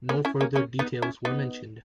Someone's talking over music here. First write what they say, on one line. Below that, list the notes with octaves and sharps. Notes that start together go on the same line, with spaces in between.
No further details were mentioned.
A#3 C#4
C#4 E4
A#3 C#4
A#3 C#4
B3 D#4
C#4 E4
B3 D#4